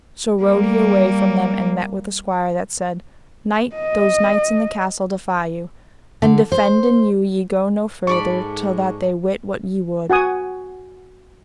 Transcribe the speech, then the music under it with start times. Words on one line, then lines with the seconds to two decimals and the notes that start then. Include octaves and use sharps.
So rode he away from them and met with a squire that said: Knight, those knights in the castle defy you, and defenden you ye go no further till that they wit what ye would.
0.43 G3 A#3
3.76 D#5
6.22 D3
6.52 C5
8.07 G#2 A4 D5 B5 C#6
10.10 F#4 F#5 G#5 D#6